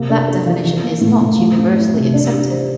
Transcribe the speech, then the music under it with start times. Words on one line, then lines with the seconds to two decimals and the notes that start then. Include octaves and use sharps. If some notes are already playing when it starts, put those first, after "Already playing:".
That definition is not universally accepted.
Already playing: C3 A#3
0.09 D4
0.28 A4
0.46 F3
0.65 F3
0.83 A#3
1.01 A2
1.21 A2
1.39 F3
1.57 C4
1.76 E4
1.95 C3
2.14 D4
2.32 G4
2.50 C5